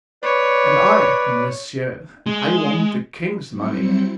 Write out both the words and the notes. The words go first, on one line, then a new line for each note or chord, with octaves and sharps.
"And I, monsieur, I want the king's money."
B4 C#5 D5
G#3
F#3 G3 C4 E4 C5 C#7